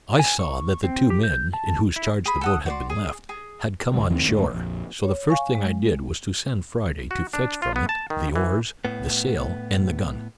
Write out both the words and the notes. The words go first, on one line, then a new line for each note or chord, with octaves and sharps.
I saw that the two men, in whose charge the boat had been left, had come on shore; so the first thing I did was to send Friday to fetch from it the oars, the sail, and the gun.
G#5
C#6
C4
G4
G6
A5
E4
G#4 B5
A4 F#5 D#6
F#4 D5 C6
G#4
G#4
C2 D3 G3
F2 D#3 C4
F1 D2 A2 G#3
A#1 F2
C#5
F5 G#5 C#6
G#3
F#4
D4
F4
B3
A5
D#3
E3
A2 B3